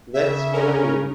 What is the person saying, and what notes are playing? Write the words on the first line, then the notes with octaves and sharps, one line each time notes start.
That's what I mean.
C#3 E5
C#4 A#4